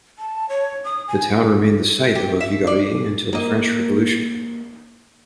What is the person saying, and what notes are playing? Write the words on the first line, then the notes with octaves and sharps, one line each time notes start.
The town remained the site of a "viguerie" until the French Revolution.
A5
C#5
D#6
G#5
G4
E5
D5
A#3 D#5